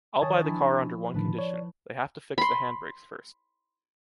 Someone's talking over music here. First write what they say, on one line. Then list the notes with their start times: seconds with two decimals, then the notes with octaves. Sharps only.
I’ll buy the car under one condition, they have to fix the handbrakes first.
0.22 D#3 C#5 G#5 A5 C#6 D#6
0.44 F3 D4 E4
1.14 A2 D3 D#3 F3 B4 A5
1.38 C#5 D5
2.38 B5 C6